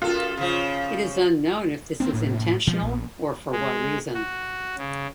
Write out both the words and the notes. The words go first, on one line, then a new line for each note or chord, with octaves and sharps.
It is unknown if this is intentional, or for what reason.
F#2 F4 A4
C#3 F3
F1 A#3 C4 D4
A2
A#2 F3 B3
A#1
G#3
F#4
C#3